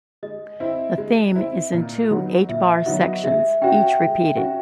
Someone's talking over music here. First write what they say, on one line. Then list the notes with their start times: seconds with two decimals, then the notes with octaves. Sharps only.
The theme is in two eight-bar sections, each repeated.
0.23 G#3 D#5
0.60 C4 E4
0.98 G#3
1.35 C4 E4
1.73 A#2
2.11 F#3 B3 D#4 F#4
2.49 A#2 E5
2.86 F#3 B3 D#4 F#4 D#5
3.24 G#3 E5
3.62 C#4 F#4 G5
4.00 G#3
4.37 C#4 F#4